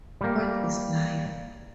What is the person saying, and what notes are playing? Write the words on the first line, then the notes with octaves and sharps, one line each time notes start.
What Is Life?
G3 A#3